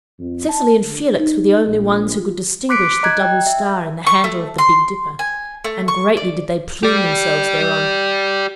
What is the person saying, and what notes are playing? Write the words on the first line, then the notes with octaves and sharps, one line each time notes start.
Cecily and Felix were the only ones who could distinguish the double star in the handle of the Big Dipper, and greatly did they plume themselves thereon.
F2
A5
D3
D#4
A#1
F4
C6 D6 F#6 B6 C#7 D7
D#5 A#5 F#6 G#6
G5
E5
C#6
A3
C6
G#5
A3
C#6
D5
G4 D5